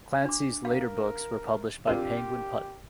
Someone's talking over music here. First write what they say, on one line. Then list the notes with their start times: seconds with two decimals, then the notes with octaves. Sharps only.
Clancy's later books were published by Penguin Putnam.
0.25 D4 D6
0.65 A#4 F5
1.87 C3 D4 F4 G4 A#4